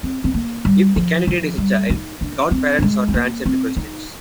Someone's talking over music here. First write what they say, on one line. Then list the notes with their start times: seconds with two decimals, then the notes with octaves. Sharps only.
If the candidate is a child, the godparents are to answer the questions.
0.03 C4
0.24 C4
0.34 A#3
0.65 G3
0.96 F3
1.27 F3
1.58 G3
1.90 D#4
2.21 D4
2.51 C4
2.79 G3
2.82 G#3
3.08 C4
3.14 A#3
3.46 C4
3.77 D#4